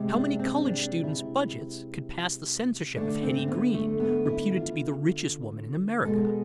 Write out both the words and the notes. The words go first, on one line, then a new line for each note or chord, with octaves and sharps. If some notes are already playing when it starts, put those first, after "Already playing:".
How many college students' budgets could pass the censorship of Hetty Green, reputed to be the richest woman in America?
Already playing: C3 G#3
D4
C4
D4
E4
D3 A3 D4
C4
C4
B3
A3
B3
E4
F4
B2 G#3 A4